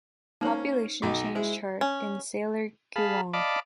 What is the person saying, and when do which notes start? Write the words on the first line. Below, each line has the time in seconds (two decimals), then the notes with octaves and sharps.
Population change chart in Saller QuLang.
0.41 A#3 C#4 D#4 C5 C#5
1.02 B1 D#4 F#4 D6
1.35 G#3 E4 C5 G#5
1.81 C#4
2.96 G#4 F5 A5 B5
3.34 D5 D#5 F5 A5 B5 D6